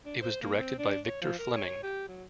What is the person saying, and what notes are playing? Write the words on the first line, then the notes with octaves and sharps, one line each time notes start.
It was directed by Victor Fleming.
D4
C5
A#3
C4
D4
C#5
F3
A#4
C#5
G4
F#3